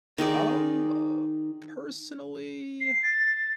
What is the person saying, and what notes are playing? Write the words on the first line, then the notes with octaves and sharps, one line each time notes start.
Um, uh, personally,
D#3 D#4 G#4 D5
C7
A6